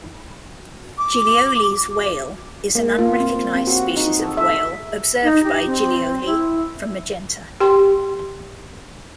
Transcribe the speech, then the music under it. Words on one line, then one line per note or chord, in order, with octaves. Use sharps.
Giglioli's Whale is an unrecognized species of whale observed by Giglioli from "Magenta".
D6
A#3
F4
C4
C4
F#4
D#4
A4
E5
D#4
G4
C4
E4
G4 G5 C6